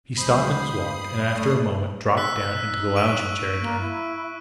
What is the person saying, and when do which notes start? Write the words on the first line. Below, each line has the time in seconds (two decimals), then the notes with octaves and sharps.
He stopped in his walk, and, after a moment, dropped down into the lounging chair again.
0.17 D2 F#3 G#3 C5 B5 D#6 C7
0.78 G2
1.31 A3 D5
2.17 D#4 E6 F#6 B6
2.96 C#6 D7 D#7
3.61 A#3
3.81 E4